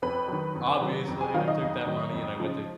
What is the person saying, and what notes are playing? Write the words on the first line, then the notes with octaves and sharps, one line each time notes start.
obviously, I took that money and I went to
F2 B4 B5
D#3 F#3
F2
D#3 F#3
F2
G#4 G#5
D#3 F#3 F4 F5
D#4 D#5
F2
D#3 F#3
F2
C#3 F3